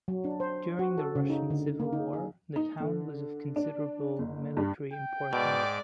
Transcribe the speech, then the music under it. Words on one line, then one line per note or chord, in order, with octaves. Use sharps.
During the Russian Civil War, the town was of considerable military importance.
F#3
D4
C5
F#4
A4
C#3
D#4
D3
A#3
D#4
G#4
D#4
D3
D4
F#1
G2
G5
G#2 B2 D5 D6